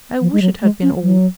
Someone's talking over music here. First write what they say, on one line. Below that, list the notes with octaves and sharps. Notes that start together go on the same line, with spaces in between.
I wish it had been all.
F3
G#3
F#3
G#3
C#4
F#3